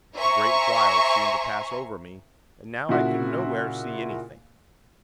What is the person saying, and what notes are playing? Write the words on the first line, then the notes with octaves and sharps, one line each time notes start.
A great while seemed to pass over me, and now I could nowhere see anything.
C5 E5 G#5 A#5 C6 C#6
A#2 C#3 E4 F#4